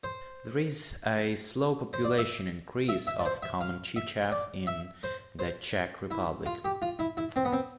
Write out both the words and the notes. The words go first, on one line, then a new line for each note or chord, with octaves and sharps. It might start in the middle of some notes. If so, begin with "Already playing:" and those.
There is a slow population increase of common chiffchaff in the Czech Republic.
C5
C5
D5
E5
E5
E5
D5
C5
E5
F5
E5
D5
E5
C5
C5
E4
F4
G4
F4
E4
E4
C4
B3
C4